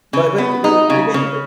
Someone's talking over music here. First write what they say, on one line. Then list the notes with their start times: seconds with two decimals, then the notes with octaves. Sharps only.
But but but a but again, it's like
0.13 C#3
0.38 B3
0.64 D#4
0.90 C#3
1.14 C#3